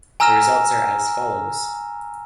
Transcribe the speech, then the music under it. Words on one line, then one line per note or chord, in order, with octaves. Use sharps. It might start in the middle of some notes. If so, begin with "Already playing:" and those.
The results are as follows.
G#5 A#5 E6 F6 A#6 E7